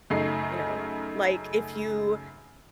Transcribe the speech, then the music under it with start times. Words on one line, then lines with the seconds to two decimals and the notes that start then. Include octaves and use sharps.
you know? Like, if you,
0.10 F#2 C#3 A3 D#4 C7